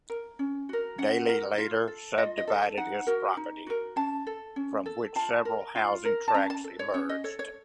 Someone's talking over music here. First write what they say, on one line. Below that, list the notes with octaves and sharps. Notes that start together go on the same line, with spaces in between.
Daly later subdivided his property, from which several housing tracts emerged.
A#4
C#4
F#4 A#4
C#4 F#5
F#4 A#4
F4
A4
F4 D#5
D#5
A4
D#4 F#5
F#4 A#4
D#4
F#4 A#4
C#4 A5
A4
C#4
A4
F4 A5
A#4
F4
A#4
A5
C#4 A#5
A5
A4
C#5
C#4 C#5
D#5
A4 C#5
C#5